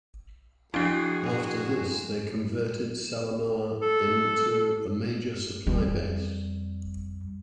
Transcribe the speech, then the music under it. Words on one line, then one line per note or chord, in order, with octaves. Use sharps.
After this they converted Salamaua into a major supply base.
F2 D4 E4 F#4 G#4
A4
F2 G3